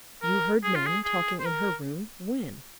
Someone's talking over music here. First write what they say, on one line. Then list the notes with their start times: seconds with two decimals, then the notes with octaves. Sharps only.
"You heard men talking in her room--when?"
0.22 A#4
0.63 G#4
0.75 F4
0.86 G#4
1.05 G#4
1.40 C5
1.46 A#4